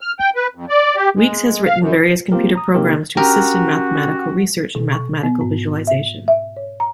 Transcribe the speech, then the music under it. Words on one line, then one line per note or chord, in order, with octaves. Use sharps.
Weeks has written various computer programs to assist in mathematical research and mathematical visualization.
F6
G5
B4
F2
D5
G4
G#3
F5
F#2
A#3 C4 F4 G4 A#4
A#5 D#6
C3 A#3 D#4 G4 A#4
C#4 F#4 G4 A#4
B2
C#6
B3
G#2
E5
E5
C#5
A#5